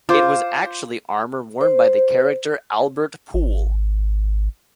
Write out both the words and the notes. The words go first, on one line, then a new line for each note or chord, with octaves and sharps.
It was actually armor worn by the character Albert Poole.
F4 C5 D6
C5
G#1